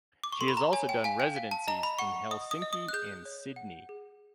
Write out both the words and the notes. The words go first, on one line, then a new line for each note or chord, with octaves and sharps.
She has also done residencies in Helsinki and Sydney.
D6
C#6
A4 C6
B5
A#5
C#5 G#5
G5
F5 G#5
G5
F5
A5
D#5 A#5
B5
F#5 C#6
D#5 D#6
D#6
D#5
D#6
F#6
G#4 G6
C#5
F#5
G#4